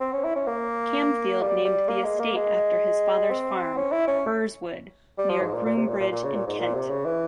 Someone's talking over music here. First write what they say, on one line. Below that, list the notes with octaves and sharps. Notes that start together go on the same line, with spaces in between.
Camfield named the estate after his father's farm, Burrswood, near Groombridge in Kent.
C4
C#4
E4
C#4
A#3
G3
G3
A#3
G#3
A#3
G#3
C4
C#4
E4
C#4
G3
F3
G#2
A#2
A#2
C3
A#2
A#2
A#2
C#3
A#2
G#2
A#2
C3
C#3
E3